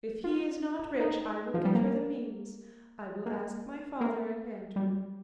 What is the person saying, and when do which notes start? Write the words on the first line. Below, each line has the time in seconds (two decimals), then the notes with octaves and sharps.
If he is not rich I will give her the means; I will ask my father and Andrew.
0.24 F4
1.00 D#4
1.54 F3
1.65 G3
1.75 A#3
3.26 A#3
4.01 A#3
4.76 G3